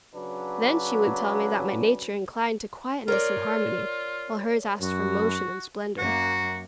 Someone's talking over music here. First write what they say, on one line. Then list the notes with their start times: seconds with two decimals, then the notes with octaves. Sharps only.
Then she would tell me that my nature inclined to quietness and harmony, while hers asked for motion and splendor.
0.15 C#3 F#3 C#4 D4 B4
3.08 F4 A#4 C#5 D5
4.81 F#2 F#4
5.98 F#2 A#3 F#4